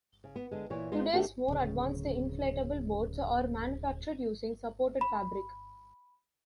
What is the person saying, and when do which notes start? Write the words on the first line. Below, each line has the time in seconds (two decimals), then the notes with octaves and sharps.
Today's more advanced inflatable boats are manufactured using supported fabric.
0.24 C#3
0.36 B3
0.51 D3 G#3
0.70 A#2 E3 C#5
0.92 G#3 B3 F4
1.13 D#3 A3 B3 D4 F#4 G4
1.48 D1 C#3
5.01 B5